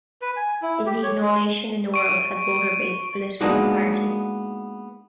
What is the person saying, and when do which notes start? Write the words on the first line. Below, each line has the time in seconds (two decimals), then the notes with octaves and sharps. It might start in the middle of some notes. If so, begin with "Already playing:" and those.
Indeed, no nation in the world had voter-based political parties.
0.22 B4
0.37 G#5
0.62 E4
0.86 G4
1.03 C#5
1.22 G#3
1.94 C#6 D7 D#7
3.41 G#3 A#3 B3 D4 D#4 F#4